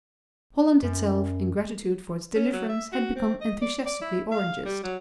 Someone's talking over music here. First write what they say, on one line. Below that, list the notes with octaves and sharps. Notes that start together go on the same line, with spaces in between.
Holland itself, in gratitude for its deliverance, had become enthusiastically Orangist.
F#2
C#4
F#3
E5
F#4
C4
D#5
D5
D5
E4
F5
G3
F#3